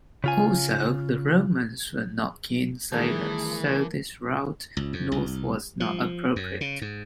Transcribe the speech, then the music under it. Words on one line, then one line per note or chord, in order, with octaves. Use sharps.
Also, the Romans were not keen sailors, so this route north was not appropriate.
C#3 F4 G#5
D#3 E3 G3 A3 B3 G#4 A#4 A5
C#2
F2
C2
F3
F#2
C#3
G#2